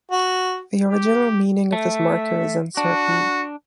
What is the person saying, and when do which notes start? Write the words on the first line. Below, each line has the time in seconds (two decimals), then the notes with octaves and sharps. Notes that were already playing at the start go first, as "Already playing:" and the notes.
The original meaning of this marker is uncertain.
0.12 F#4
0.90 G4
1.73 A3 E5
2.77 D4 F#4